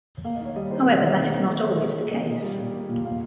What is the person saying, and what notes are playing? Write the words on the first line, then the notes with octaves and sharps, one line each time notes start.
However, that is not always the case.
A#3 F5
D#5
D#3 C#5
G3 D#5
D#3 C5
A#4
A#3
C5
D#3 C#5
D#3 C5
D#3
G#3
G#3 C#5
D#3
D#3
A#3 D#5
A#2
G3
A#2
A#3
A#2
A#3 F5